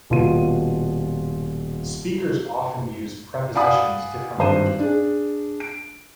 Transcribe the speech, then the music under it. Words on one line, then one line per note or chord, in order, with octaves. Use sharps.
Speakers often use prepositions differently.
D#1 B2 F4 C6 D#7
D5 F5 F#5 G#5 B5 D#6
G#1 G2 C5 D#7
D4 G#4
D7